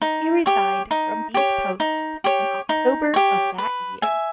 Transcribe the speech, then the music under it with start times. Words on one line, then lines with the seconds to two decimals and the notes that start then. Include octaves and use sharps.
He resigned from these posts in October of that year.
0.02 D#4
0.46 G4 C#5
0.91 D#4
1.34 G4 C#5
1.80 D#4
2.24 G4 C#5
2.69 D#4
3.14 G4 C#5
3.58 B4
4.02 E5 G#5